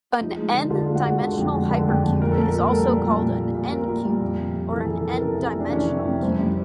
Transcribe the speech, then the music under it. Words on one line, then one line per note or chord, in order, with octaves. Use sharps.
An "n"-dimensional hypercube is also called an n"-cube or an n"-dimensional cube.
F3 D#4
G#3
D3
D3 F4
G#3
F#4
G#3
D3
F2
G#3
D3
F2
F2
A#2 A#4
A4
A#2 A#4
A#2
A#4
G3 A4
A#2
G3
A#2
A#2
A#2
A#2 A#4
A#2
G3
F2
C3
C3
E3 A4
E3 G#4
A4
E3 A#4
C3 A4
C3 G#4
F2
D4
E3 C#4
C3
F2
G3 C4
G3